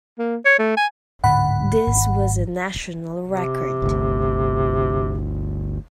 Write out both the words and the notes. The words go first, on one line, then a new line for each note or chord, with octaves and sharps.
This was a national record.
A#3
C#5
A3
G#5
D1 G#2 D3 F#5 B5
G#1
C3
G1 D2